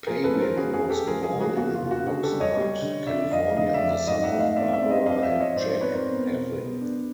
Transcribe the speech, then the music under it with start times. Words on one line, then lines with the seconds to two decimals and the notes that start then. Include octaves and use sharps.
Pavin was born in Oxnard, California, the son of Barbara and Jack Pavin.
0.07 F3 G#4 A#4
0.24 A4 B4
0.33 C#4
0.40 A#4 C5
0.57 C#4 F#4 G#4
0.73 F#4 G#4
0.82 C#4
0.90 G4 A4
1.07 F3 G#4 A#4
1.23 G#4 A#4
1.32 C#3
1.41 F#4 G#4
1.57 A#3 F#4
1.74 F4
1.82 C#3
1.91 F#4
2.06 D3 F#4 G#4
2.23 G4 A4
2.32 G3
2.40 C#5 D#5
2.57 G3
2.82 D3
3.06 D3 D5 E5
3.31 F2 D#5 F5
3.57 D3 D#5 F5
3.73 D5 E5
3.81 F2
3.90 D5 E5
4.07 G#2 D#5 F5
4.23 E5 F#5
4.31 A3
4.40 D#5 F5
4.56 C4 D5 E5
4.68 F5
4.73 D5 E5
4.82 C4
4.90 D#5 F5
5.06 F3 D#5 F5
5.23 D5 E5
5.32 F3
5.40 C#5 D#5
5.56 G#2 C5 D5
5.69 C5 D5
5.81 C4 B4 C#5
5.93 A#4 C5
6.06 B3
6.31 B2
6.56 B3
6.81 D4